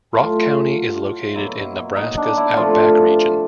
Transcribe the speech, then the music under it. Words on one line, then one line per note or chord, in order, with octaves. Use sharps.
Rock County is located in Nebraska's Outback region.
A2 F#3 A3 F4
B2 F#3 A#3 E4
D#4
D4
E4
C3 F3 A3 F4